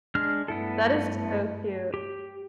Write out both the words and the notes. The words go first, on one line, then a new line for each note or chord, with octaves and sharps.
That is so cute.
G#3 D4 F6
G2 A3 B3 E4 A4
G4